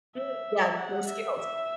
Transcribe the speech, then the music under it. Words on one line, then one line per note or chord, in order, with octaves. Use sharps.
Mm, yeah, no skills.
E5
F#5
E5
E5